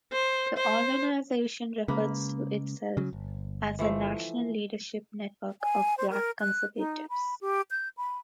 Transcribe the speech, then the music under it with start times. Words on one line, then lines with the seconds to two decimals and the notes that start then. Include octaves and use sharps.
The organization refers to itself as the National Leadership Network of Black Conservatives.
0.12 C5
0.57 C5
1.88 C#3 G#3 A#3 B4
2.97 C#3 F#3
3.13 G1
3.79 E3 F3 A3
5.62 G#5
5.98 C5
6.10 A#4
6.41 F#6
6.77 D#4
7.10 B5
7.41 G4
7.71 G6
7.97 B5